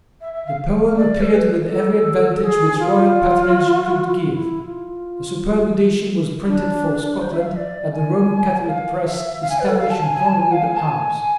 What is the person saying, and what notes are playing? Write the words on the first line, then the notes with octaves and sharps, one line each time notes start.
The poem appeared with every advantage which royal patronage could give. A superb edition was printed for Scotland at the Roman Catholic press established in Holyrood House.
E5
E5
F5
D5
A4
B4
A4
G#4
F4
F4
E4
F4
D4
C5
E5
F5
E5
D5
G#5
F5
E5
F5
G#5
B4
A4
F5
A5
G#5
G#5
A5
G#5
F5
G#5
A5
G#5